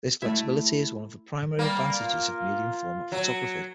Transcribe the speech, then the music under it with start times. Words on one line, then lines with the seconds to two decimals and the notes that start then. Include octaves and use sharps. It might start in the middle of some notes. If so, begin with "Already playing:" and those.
This flexibility is one of the primary advantages of medium-format photography.
0.22 A3 E4
1.59 G3 A#3
2.02 F4
3.12 F#3